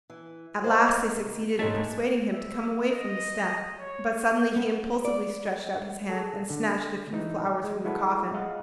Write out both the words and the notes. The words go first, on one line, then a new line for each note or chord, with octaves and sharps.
At last they succeeded in persuading him to come away from the step, but suddenly he impulsively stretched out his hand and snatched a few flowers from the coffin.
E3
C5 D#5 F5
C3 D#3
G#2 C3 A3 C#4 D#4
E5
D#5
C#5
B3
D5
G#4 A4
D3
E3 D#4
G#3
G#3 E4 F#4 A4 B4
F4 G#4 D#5 F5 F#5